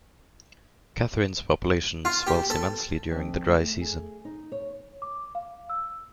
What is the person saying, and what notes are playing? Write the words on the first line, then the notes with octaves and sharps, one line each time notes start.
Katherine's population swells immensely during the Dry Season.
F4
G4
A4
F2
A3
G#4
D#4
C#5
D6
F5
E6